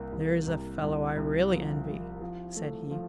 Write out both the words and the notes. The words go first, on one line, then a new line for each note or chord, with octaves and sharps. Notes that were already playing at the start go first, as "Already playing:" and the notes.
"There's a fellow I really envy," said he.
Already playing: C2 A#3
C2
C2
C2
C2
F3
F3
F3
A3
F3